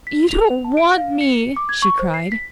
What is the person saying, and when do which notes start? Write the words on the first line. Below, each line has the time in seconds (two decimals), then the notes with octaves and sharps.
"You don't want me!" she cried.
0.07 B6
0.29 F7
0.64 A5
0.77 D7
0.98 F5
1.21 C#7
1.57 D6
1.69 G#6
1.82 C#6
1.99 C5
2.14 C7
2.32 B6